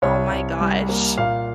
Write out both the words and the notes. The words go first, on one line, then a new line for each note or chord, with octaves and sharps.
Oh my gosh.
C2 C#5
C2
G3
A#3
A#2 F5